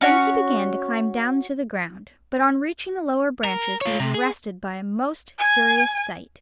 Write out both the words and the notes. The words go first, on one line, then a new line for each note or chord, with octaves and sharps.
Then he began to climb down to the ground, but on reaching the lower branches he was arrested by a most curious sight.
C#4 F#4 C#5
A#4
F4 C#5
C3
G#4
G#5